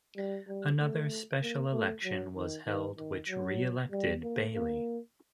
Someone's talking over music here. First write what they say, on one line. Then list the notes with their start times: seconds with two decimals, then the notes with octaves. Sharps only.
Another special election was held which re-elected Bailey.
0.16 G3
0.48 G3
0.79 A3
1.42 A#3
1.72 A3
2.04 F#3
2.36 D#3
2.66 D#3
2.97 D#3
3.29 F#3
3.91 G3
4.22 A#3
4.55 A#3